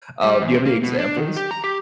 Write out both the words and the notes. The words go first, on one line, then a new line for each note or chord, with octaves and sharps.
Uh, do you have any examples?
G3
E2
C3
A#3
B2
D4
D#3
G4
A#5
G4